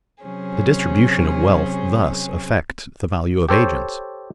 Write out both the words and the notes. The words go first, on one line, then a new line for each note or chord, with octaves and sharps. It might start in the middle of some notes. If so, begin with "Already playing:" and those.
The distribution of wealth thus affects the value of agents.
C3 F#3 C#4 G#4 C5
G4 A4 C5 C#5